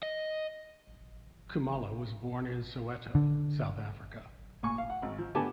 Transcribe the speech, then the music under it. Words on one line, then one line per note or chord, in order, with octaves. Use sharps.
Kumalo was born in Soweto, South Africa.
D#5
D3
A#2 G#5 C#6
F5
F#5
G#1
F3
D3 B3 G4 G#5 A5 D6